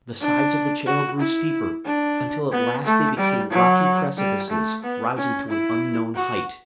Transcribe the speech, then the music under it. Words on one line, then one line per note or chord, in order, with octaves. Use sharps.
The sides of the channel grew steeper, until at last they became rocky precipices, rising to an unknown height.
D4
F#4
E4
D4
B3
A3
G3
F#3
G3
A3
B3
C#4
E4
F#4